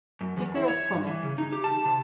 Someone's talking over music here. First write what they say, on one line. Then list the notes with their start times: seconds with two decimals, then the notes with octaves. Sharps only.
Dicker of Plymouth.
0.21 F#2
0.37 E2
0.55 E4
0.68 C#5
0.93 G2
1.07 E3
1.23 C#3
1.38 D#4
1.52 G4
1.64 A5
1.85 C3